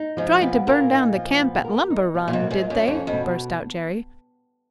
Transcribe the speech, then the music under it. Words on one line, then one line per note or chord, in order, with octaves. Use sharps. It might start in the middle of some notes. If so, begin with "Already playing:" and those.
"Tried to burn down the camp at Lumber Run, did they?" burst out Jerry.
Already playing: D#4
G#2 F3
A#2 B3
A#2 A#4
D#4
F3
B3
A#4
D#4
B2
A#2
G#2
A#3
G#2
F4
F#2
F2 C#4
F2
B2